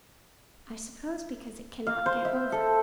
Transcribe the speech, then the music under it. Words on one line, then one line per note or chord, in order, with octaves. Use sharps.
I suppose because it cannot get over.
F5
C5
E5
A4